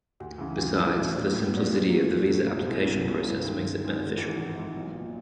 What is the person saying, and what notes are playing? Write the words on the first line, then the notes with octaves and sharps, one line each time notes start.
Besides, the simplicity of the visa application process makes it beneficial.
D2
C#3 E3
D2
C#3 E3
A2
F#3 B3 D4
A2
F#3 B3 D4
A#2
F#3 A3
A#2
F#3 A3
C2
B2 G#3 C#4 E4
C2
B2 G#3 C#4 E4
G2
D#3 G#3
G2
D#3 G#3
G#1
G#2 E3
G#1
G#2 E3
B1
A#2 F3